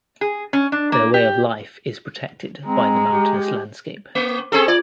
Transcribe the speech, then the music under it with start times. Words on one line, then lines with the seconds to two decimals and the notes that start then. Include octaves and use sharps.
Their way of life is protected by the mountainous landscape.
0.21 G#4
0.53 C#4
0.72 D4
0.92 A#3
1.14 G4
2.66 G#3 C4 A#5
3.12 G4
4.15 A#3
4.52 C4 G#4 A4
4.68 F4 D5 G#6